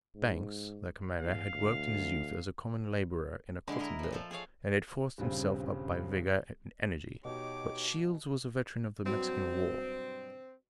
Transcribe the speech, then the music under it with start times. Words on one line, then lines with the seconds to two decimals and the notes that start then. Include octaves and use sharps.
Banks, their commander, had worked in his youth as a common laborer in a cotton mill, and had forced himself up by vigor and energy, but Shields was a veteran of the Mexican War.
0.15 G#2
1.20 E2 F5
1.54 D2
3.68 D3 G#3 E4 C6
3.79 E4 A#4 D#5
3.99 A#2 F3
4.12 F3 A4
4.31 G#4 A4 C#5 F5
5.18 D#1 G2 C#3 C4
7.25 B2 D#4 G4 C#5 D6
9.05 G2 B2 F#3 C4